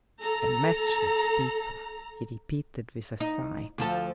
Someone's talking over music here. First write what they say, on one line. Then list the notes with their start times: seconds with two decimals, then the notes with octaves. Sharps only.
"A matchless people!" he repeated with a sigh.
0.21 A4 A#5
3.20 D#4
3.78 D2 F3 A4